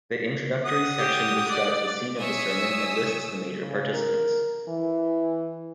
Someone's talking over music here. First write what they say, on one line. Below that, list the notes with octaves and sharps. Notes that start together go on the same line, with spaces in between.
The introductory section describes the scene of the sermon and lists the major participants.
F#5 D#6
G4
D5
C#5 E5 G#5 D#6 E6
C#3
A#4
E3